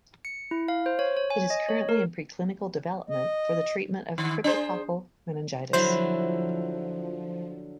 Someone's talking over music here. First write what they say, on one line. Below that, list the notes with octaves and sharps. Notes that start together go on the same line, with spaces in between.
It is currently in preclinical development for the treatment of cryptococcal meningitis.
C#7
E4
F5
C5
C#5
C#5
G#5
D#5
C#5
A#4
D#5
D#3
D4 G#4 C5
D3 F3 F#3 E4 C5